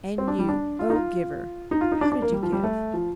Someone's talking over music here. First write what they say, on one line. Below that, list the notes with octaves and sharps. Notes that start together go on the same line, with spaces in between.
And you, O giver! how did you give?
C4
D4
G3
D4
F4
D#4
F4
D#4
F4
D#4
D4
D4
A#3
G3
F3
G3
A3
F3